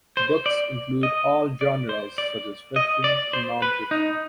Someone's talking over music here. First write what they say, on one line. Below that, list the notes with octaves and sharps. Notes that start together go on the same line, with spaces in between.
Books include all genres such as fiction and non-fiction.
C5
D5
D#5
D5
C5
D5
D#5
D5
C5
B4
D#4